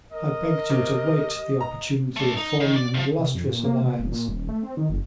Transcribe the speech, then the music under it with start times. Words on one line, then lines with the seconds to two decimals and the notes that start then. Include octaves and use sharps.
I begged you to wait the opportunity of forming an illustrious alliance.
0.12 A#4 D#5
0.70 C3 G4
1.61 A#5
2.16 A3 D4
2.37 D#4
2.60 D#3
2.76 D5
2.94 E2 F3
3.19 C3
3.35 F2
3.48 A#2
3.65 A#3
3.82 C3
3.99 E1
4.12 A#2
4.28 D#1
4.49 A3
4.63 C4
4.77 D#3
4.89 F#1